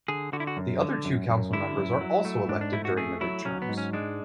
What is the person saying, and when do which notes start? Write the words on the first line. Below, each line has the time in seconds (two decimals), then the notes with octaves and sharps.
The other two council members are also elected during the midterms.
0.08 D3 G#4
0.33 D3 F#4
0.40 E4
0.47 F#4
0.57 F#2
0.81 D3
1.05 F#2
1.29 F#2
1.53 D3 E4
1.77 F#2
2.01 F#3
2.25 A3
2.49 G#2 D4
2.61 D4
2.73 A3 E4
2.85 F#4
2.97 A3 G#4
3.21 F#3 E4
3.45 F#3 C#4
3.62 B3
3.69 G#2
3.78 C#4
3.93 G#3 D4